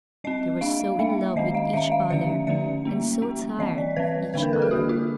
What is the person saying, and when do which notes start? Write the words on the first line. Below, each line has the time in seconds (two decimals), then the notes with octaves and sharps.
They were so in love with each other--and so tired of each other.
0.24 G3 D#5
0.27 C4
0.61 G3 A#3 D4 F5
0.80 F5
0.99 G3 A#3 D4 E5
1.36 D#3 G#3 C#4 D#5
1.54 F5
1.73 D#3 G#3 C#4 E5
1.92 F5
2.10 D3 F3 A3 C#4 E5
2.47 D3 F3 A3 C#4 E5
2.85 G3 A#3 C#4
3.22 G3 A#3 C#4
3.59 E3 G3 C4 D#5
3.78 D5
3.96 E3 G3 C4 B4
4.34 D3 G3 A#3 D4 B4
4.43 A#4
4.53 A4
4.62 G#4
4.71 D3 G3 A#3 D4 F#4
4.89 F4